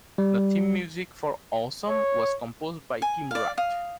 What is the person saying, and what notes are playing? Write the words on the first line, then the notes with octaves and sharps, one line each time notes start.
The theme music for "Awesome" was composed by Tim Wright.
G3
C#5
G#5
D5 F5
F5 D#6